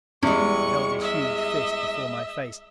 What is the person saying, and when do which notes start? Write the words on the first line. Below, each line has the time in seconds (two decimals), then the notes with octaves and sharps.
He held his huge fist before my face.
0.23 E2 G3 G#3 C#6
1.00 D#5 E5